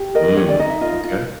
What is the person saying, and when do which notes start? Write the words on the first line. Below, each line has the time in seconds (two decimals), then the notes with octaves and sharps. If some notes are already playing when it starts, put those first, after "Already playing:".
Mm, okay.
Already playing: G4
0.15 A#4 D#5
0.37 G4 C#5
0.48 D5
0.59 D#4 D#5
0.70 E5
0.81 F4 D#5
1.04 F4